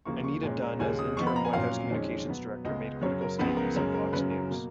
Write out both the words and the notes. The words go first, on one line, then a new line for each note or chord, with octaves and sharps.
Anita Dunn, as interim White House Communications Director, made critical statements of Fox News.
D#2 C#3 F3 A#3 C#6
C#6
A#2 G#3 C#4
A#5
D#2 C#3 G#3 C#4 G#5
D#6
F2 F3 B3 C#6
B5
A#5
G#5
A#2 F#3 C#4 F5
F2 D#3 G#3 C#4
B2 F#3 B3
C#2 C#3 G#3 B3 D#5
F#2 C#3 F#3 C#4 C#5
A#4
C#2 C#3 F3 B3 B4
A#4
F#2 C#3 G#3 C#4 A#4
A#4
F#2 C#3 F#3 C#4 B4
A#4
B2 A#3